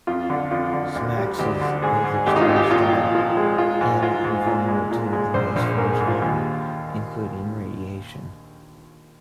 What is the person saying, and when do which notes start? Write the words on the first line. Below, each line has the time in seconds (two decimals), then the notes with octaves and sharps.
Smax is both extremely strong, and invulnerable to most forms of harm, including radiation.
0.07 F2 F4
0.30 D3
0.51 F2 F4
0.73 D3
0.95 D2
1.17 G3
1.39 D2 G4
1.61 D3
1.83 G#2 G#4
2.05 G#2
2.26 G#1 G4
2.36 D#4
2.41 F4
2.48 G#1
2.56 G4
2.71 A#2 F4
2.93 F3
3.15 F3
3.37 G#3
3.58 G#3 F4
3.81 G#2
4.02 G#2 F4
4.24 G#2
4.47 A#2
4.68 G#3
4.91 A#2
5.13 G#3
5.34 A#1 C5
5.56 A#1
5.78 G#2 A#4
5.93 G#4
6.00 G#2
6.07 F4
6.22 D#2